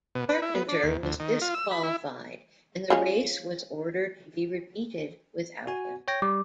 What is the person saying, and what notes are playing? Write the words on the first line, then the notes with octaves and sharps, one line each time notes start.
Carpenter was disqualified and the race was ordered to be repeated without him.
B2
B4
E4
B3
D4
D#2
D2
D#3
F4
E6
B5
E4
F3 G#3 C#4
F#4 G#5
C#5 G5 A#6
G3 D6